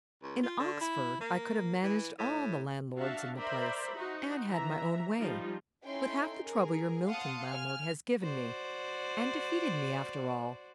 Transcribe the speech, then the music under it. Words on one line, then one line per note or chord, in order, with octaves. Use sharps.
In Oxford, I could have managed all the landlords in the place, and had my own way, with half the trouble your Milton landlord has given me, and defeated me after all.
C#2
F4
D3
E4
A#3
E3
A2
D4 F#4 E5 F5 A5
A#4 C5 D5 E5 A#5 B5
D#4 F#4 C5
E3 E5 A#5
F3 G3 D#4 F4
C#4 D#4 E4 A4 G5 C6
G#4 A#4
F5 F#5 A5 C6 D#6 C#7
G#5 F6
F#4 C5 D5